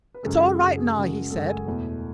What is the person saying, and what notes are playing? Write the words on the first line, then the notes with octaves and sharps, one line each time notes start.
"It's all right now," he said.
B4
F#2 C#3 G#3 A4
F#4
G#4
F#2 C#3 G#3 F#4
G#4
F#2 C#3 G#3
F#2 C#3 G#3 A4
G#5
E2 B2 A3